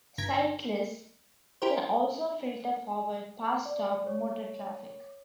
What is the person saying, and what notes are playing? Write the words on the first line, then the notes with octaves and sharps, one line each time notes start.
Cyclists can also filter forward past stopped motor traffic.
G1 A#5 G#6 B6 D7
E4 G4 A#4 C5
D5
C#5